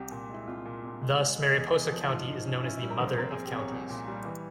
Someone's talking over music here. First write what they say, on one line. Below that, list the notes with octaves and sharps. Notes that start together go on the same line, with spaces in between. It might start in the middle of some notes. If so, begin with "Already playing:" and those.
Thus, Mariposa County is known as the "Mother of Counties".
Already playing: C2 G4
A#2
G#3 E4
C2 F4
A#2
C2
G#3
G#3
G#3
E2
E2
F3
E4
G#2 F4
G#2
C#4
C#4 E4
G3 E4
A#4
A#1 C5
C4 A#4
C4 G#4
G4
C2 C#5
C2
A#2
G3
E3